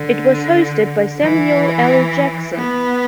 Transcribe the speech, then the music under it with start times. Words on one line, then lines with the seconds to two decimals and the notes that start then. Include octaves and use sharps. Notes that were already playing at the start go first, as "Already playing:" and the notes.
It was hosted by Samuel L. Jackson.
Already playing: D3
1.21 E3
2.54 B3